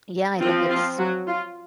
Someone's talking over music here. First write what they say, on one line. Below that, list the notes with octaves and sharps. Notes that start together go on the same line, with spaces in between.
yeah, I think it's
F3 C4 F4
F4
F#3 F#4
F4